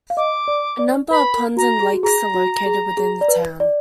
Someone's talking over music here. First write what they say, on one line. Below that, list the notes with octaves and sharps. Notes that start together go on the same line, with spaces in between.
A number of ponds and lakes are located within the town.
F5
D#5 D6
D5
D5
B4 B5
A#4
F#4 A#5
G#4
F#4
G#4 A#5
F#4
G#4
G#4
D5
B4
D5